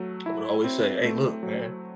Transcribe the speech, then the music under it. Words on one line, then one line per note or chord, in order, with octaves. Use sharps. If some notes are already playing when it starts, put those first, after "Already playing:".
would always say, "Aye, look, man,"
Already playing: F#3 A3
E4
C4
A3
F#3